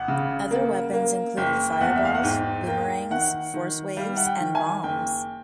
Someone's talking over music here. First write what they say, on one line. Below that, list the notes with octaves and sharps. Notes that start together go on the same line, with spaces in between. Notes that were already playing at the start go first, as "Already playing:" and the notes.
Other weapons included fireballs, boomerangs, 'force-waves,' and bombs.
Already playing: G#1 F#5
C#3
A#3
A#3
F#1 G5
G5
E2 F#5
E5
F5
F#5
G#2 G5
A#3 G5
D#3 F#5
D#3
G3 F5
F#5
G5
D#3
G#5
F#1 G5